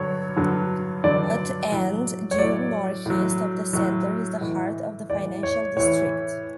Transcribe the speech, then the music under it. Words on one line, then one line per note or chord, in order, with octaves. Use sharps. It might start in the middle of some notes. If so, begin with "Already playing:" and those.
At and due northeast of the centre is the heart of the Financial District.
Already playing: G2 D3 F#3 C#5
G2 D3 F#3
G2 D3 F#3 D5
A2 F#3
C#5
A2 F#3 D5
A2 F#3
A2 F#3
A2 E3
A2 E3 D5
C#5
A2 E3 C#5